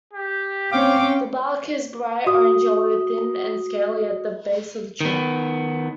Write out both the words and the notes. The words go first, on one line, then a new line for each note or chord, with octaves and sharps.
The bark is bright orange-yellow, thin and scaly at the base of the trunk.
G4
C4 C#4 F5 G5 D6
F#4 D#6
D#3 B3